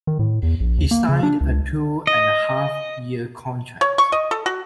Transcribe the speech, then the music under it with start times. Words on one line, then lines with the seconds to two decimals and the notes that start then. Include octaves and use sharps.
He signed a two-and-a-half-year contract.
0.07 D#3
0.19 A2
0.43 E2
0.60 A#1
0.78 D#2
0.91 A#3
1.09 C#3
1.23 D4
1.41 C#2
2.07 D#5
3.81 C#5
3.98 C#6
4.12 D#5
4.31 A4
4.46 F#4